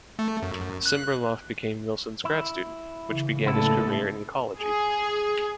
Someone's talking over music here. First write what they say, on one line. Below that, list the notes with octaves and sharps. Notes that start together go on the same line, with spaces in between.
Simberloff became Wilson's grad student, which began his career in ecology.
A3
F#2
F#6
E4
C#3 E3
F#1 A2 D3 B3 E4 A4
G#4